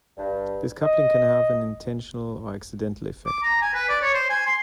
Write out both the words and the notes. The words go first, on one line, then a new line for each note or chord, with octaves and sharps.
This coupling can have an intentional or accidental effect.
G2
D#5
D6
A#5
G#5
B4
D5
C#5
C5
G#5
C6